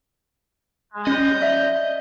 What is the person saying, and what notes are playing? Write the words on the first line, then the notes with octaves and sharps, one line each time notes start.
I know.
C#4 D#5 G6
D5 E5